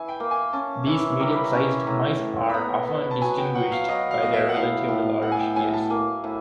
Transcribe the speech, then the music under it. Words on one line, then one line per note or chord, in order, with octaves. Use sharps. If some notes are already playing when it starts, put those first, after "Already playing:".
These medium-sized mice are often distinguished by their relatively large ears.
Already playing: E3 G#5
G5
A#3
G#5
C#4 A5
E3
G3 A#5
B5
A#5
C#4
A2 A#5
A2
B5
B3 A#5
B3
A5
F#3 G#5
G5
F#3 F#5
F5
F#3 D#5
F5
B3 D#5
E5
F#5
A2 F5
A2
A2 F#5
G#5
G5
A2 G#5
A5
A#3 G#5
A2